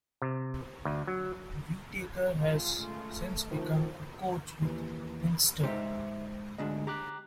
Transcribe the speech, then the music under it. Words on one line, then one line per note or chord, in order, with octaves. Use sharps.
Whitaker has since become a coach with Leinster.
C3
D2
F#3
G#3 C#4 F4
A3
F#2 A2 C3 D#3 F3
D#2 E3
G#2 D#4 G4 C5 E5
D2 G#2 D4 D#5
G4 A#5 D6 F#6